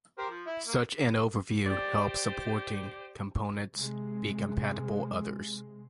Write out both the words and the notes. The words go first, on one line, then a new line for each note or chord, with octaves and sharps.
Such an overview helps supporting components be compatible others.
G4 A#4 C5
F3
E4
A#3
G4 C5 D5
C3 G#3